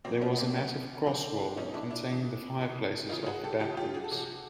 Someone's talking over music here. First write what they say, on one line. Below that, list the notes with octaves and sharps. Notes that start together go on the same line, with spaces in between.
There was a massive cross-wall, containing the fireplaces of the back rooms.
B2 F#3 A#3 C4
B3 C#4
B3
A#3 C4
B2 F#3 B3 C#4
B2 F#3 C4 D4
B2 F#3 C#4 D#4
D4 E4
D4 E4
C#3 E3
C#3 E3
C#3 E3 D#4 F4
F#4 G#4
G4 A4
C#3 E3 F4 G4
F4 G4
F#4 G#4
A4
C3 F3 F#4 G#4